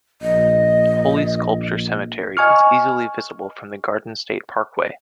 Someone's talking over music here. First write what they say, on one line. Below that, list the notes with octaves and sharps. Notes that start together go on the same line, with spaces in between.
Holy Sepulchre Cemetery is easily visible from the Garden State Parkway.
A#1 D#5
D#5 G#5 C#6 F6